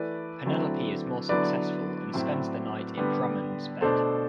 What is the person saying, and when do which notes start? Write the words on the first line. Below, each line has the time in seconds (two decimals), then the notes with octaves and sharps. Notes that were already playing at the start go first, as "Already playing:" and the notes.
Penelope is more successful and spends the night in Drummond's bed.
Already playing: E3 A3 E4 B4 D5
0.46 D3 F#3 A3 C4 E4
1.29 D3 F#3 B3 E4 B4 D5
2.13 A2 F#3 C4 E4
2.97 D3 G3 B3
3.81 B2 A3 D4 A4 C5